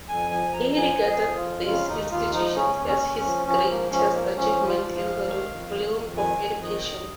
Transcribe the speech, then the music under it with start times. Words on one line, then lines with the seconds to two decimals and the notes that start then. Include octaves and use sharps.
He regarded these institutions as his greatest achievement in the realm of education.
0.08 F2 G#5
0.31 F3 G#5
0.53 F2 A#5
0.76 F3 G#5
0.99 F2
1.06 G#4
1.21 F3
1.37 F4
1.43 F2
1.66 C#3 F4
1.88 D#2 D#4
2.11 D#2 F4
2.33 F3 D#4
2.56 C#3 C#4
2.79 D#2
2.87 C#4
3.01 D#2
3.17 C#4
3.24 F3
3.46 F3 C#4
3.68 G#2 A#3
3.92 F3 C#4
4.14 G#2 A#3
4.37 F3 C#4
4.60 G#2
4.67 F4
4.82 F3
4.97 F5
5.04 G#2
5.27 D#3
5.49 F2
5.71 D#3
5.95 F2
6.17 D#3 G#5
6.39 F2
6.62 D#3 D#5
6.85 F2